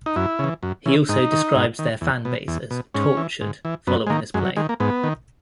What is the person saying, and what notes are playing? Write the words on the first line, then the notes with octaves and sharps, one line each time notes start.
He also describes their fan base as "tortured" following this play.
D#4
F#2 E4
C#3 E3
F#2
C#3 E3
G#2 D#4
D#3
G#2
D#3
E2
B2
E2
B2
G#2 C#4
E3
G#2
E3
F#2 B3
G#3
D#3 A#3
F#2 G#3
F#3
D#3 G#3
A#3
G#2 B3
D#3